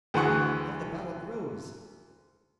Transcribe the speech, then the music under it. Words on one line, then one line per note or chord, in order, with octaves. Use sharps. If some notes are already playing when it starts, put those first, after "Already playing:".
How the battle grows!
D2 E3 G#4 F#5 C#6